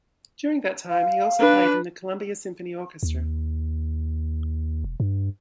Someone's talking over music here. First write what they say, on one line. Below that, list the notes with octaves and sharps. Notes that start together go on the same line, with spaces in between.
During that time he also played in the Columbia Symphony Orchestra.
F5
D4 B4
D#2
E1
G2